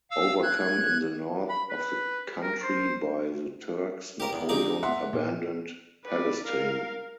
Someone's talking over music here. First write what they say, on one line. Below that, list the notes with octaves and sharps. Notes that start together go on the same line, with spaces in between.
Overcome in the north of the country by the Turks, Napoleon abandoned Palestine.
F5 E6
F#6 G#6
B5
B4
A#4
C5
G4 A#4
E2
D3 G#3 D#4 G4 D5
E5 F#5 C6
A#2
B4 D5
A#4 F5